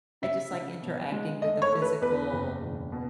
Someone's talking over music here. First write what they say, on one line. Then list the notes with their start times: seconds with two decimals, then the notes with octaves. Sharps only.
I just like interacting with a physical
0.22 C#3 E5
0.52 C#3
0.82 B2
1.12 G#3
1.42 A3 D#5
1.62 C#5
1.72 A3
1.82 B4
2.01 E2 B4
2.33 F#1
2.62 E1
2.92 B2